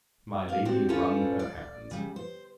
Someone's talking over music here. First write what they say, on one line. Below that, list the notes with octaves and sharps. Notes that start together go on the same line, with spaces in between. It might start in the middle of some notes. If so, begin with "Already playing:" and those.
My Lady wrung her hands.
D5 F5
C4 F#4 G4 D5
C#4 F4 A4 B4 C5 D5
D5
C#3 G3
C5